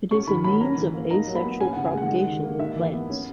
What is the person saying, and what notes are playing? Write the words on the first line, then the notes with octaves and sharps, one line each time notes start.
It is a means of asexual propagation in plants.
C#4 C#6
D#3 B5
F#3 B5
C#4 A#5
E3
A#3
D#4 A#5
F#3
B5
B3
C#4 G#5
C#3 F#5
G#5
G#3 F#5
D#4
D#3
A#3
D#4 E5
E3
B3
C#4